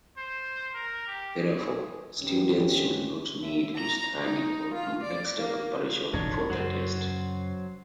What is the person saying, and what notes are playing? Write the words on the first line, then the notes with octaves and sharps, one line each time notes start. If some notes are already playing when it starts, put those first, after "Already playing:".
Therefore, students should not need to study or do extra preparation for the test.
C5
A#4
G4
G#4
C2 G2 D#3 B3 C#4 G4
E5
A#5
D#4
F4
D5
A#3
E1 A1 G2 D4 D#4 C#5
F#2 C#3 F#3 F#4 C5